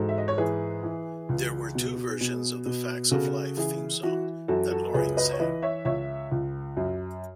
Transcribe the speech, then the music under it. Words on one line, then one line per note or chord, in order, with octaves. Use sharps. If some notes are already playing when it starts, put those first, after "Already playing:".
There were two versions of the "Facts of Life" theme song that Loring sang.
Already playing: G#2 E3 F#4 A4
E5
D#5
C#5
E3 G#4 B4
E3
C#2
B2
B2
B2
C#3 F#4 A4
E3 G#4
E3 F#4
F#2 F#4 A4
F#4 A4
C#2 G#4 B4
B4 D#5
C#5
E3 B4 D#5
C#5 E5
C#2 C#5 E5
C#2
F#2